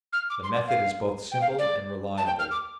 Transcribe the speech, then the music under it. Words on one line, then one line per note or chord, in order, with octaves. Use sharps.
The method is both simple and reliable.
F6
D6
C6
D5
F5
G5
F5
D5
A5
G5
F6
D6